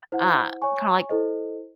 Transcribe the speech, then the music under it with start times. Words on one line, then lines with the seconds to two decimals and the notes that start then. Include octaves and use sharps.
Uh, kinda like
0.12 E4 C5 F#5
0.62 C#5 G#5 C#6
1.09 E4 A4 C5 D#5